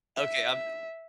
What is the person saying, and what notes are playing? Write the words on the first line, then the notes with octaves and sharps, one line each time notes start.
Okay. I'm I
E5